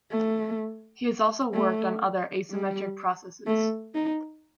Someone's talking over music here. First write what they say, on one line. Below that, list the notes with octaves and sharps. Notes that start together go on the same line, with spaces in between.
He has also worked on other asymmetric processes.
A3
A3
G3
A3
D#4